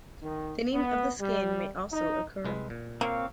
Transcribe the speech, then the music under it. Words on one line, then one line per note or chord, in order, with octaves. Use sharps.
Thinning of the skin may also occur.
D#3
B3
G3
D#4
C2 G#3 B4
A#2
A#3 C4 C#5 F5